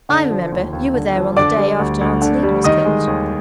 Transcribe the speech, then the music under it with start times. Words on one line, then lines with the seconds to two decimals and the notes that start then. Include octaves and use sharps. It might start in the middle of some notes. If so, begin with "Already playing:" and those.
"I remember; you were there on the day after Aunt Selina was killed."
0.09 D3
0.30 F3
0.52 D#2
0.73 D#2
0.94 D3
1.16 F3
1.37 D3 D5 D6
1.57 G3
1.79 D2
2.01 D2
2.21 D3
2.43 G3
2.64 D#3 D#5 D#6
2.85 G#3
3.07 D#2